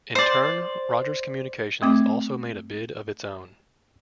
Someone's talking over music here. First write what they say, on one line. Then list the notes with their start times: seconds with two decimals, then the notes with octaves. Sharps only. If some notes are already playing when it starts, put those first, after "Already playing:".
In turn, Rogers Communications also made a bid of its own.
0.15 C5 D5
1.82 A3 C4 D6